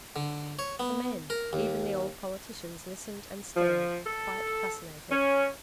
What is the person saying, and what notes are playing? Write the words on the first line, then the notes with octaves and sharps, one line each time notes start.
The men--even the old politicians, listened and stared, quite fascinated.
D3
C#5
B3
A#4
D#2
F3
A4
C#4